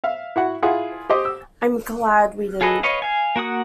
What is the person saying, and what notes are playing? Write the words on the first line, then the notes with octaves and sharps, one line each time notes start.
I'm glad we didn't.
E5 F5
E4 F#4 F#5
E4 F4 G#4 F#5
G4 C5 D#5
E6
F4 G#4 A4 B4 D#5
B4 C#5 D#5 F5
F5 G#5
A#3 F#4 F#5 D#6